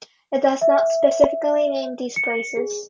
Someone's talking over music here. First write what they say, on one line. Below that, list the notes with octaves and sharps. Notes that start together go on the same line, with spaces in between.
It does not specifically name these places.
E5
C#7
G#4